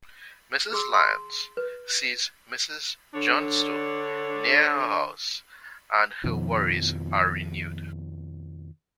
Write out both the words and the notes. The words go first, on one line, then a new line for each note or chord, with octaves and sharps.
Mrs Lyons sees Mrs Johnstone near her house and her worries are renewed.
G#4 C6 E6
A5 C6
B4
D3 D4 C#5
F2 B2 D#3 F3